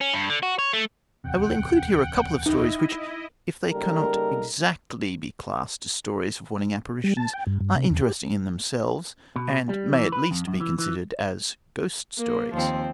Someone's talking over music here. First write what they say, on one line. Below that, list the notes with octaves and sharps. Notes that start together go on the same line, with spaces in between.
I will include here a couple of stories which, if they cannot exactly be classed as stories of warning apparitions, are interesting in themselves, and may at least be considered as ghost stories.
C#4
G2
D3
F#4
C#5
A3
D1 E2 C3 F#5 G5
D#4 E4 D#5
C#3 G3 A#3 D#4 A4 A#4
G3
A5
G5
G2
G2
C3
E2
G4
B2
G3
E3
B4
F2
F#2
E3
E3
A#3
D#2 F3 C4